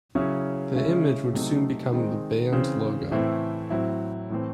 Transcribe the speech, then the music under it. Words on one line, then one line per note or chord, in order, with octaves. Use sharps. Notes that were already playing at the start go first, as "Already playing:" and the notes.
The image would soon become the band's logo.
C#3 F#3 C#4 E4
C#3 G#3 C#4 E4
C3 F#3 A3 C4 D#4
D#3 G#3 C4 D#4
C#3 E3 C4
A2 E3 A3 C4 E4
A2 F#3 C4 E4
A2 E3 A3 C4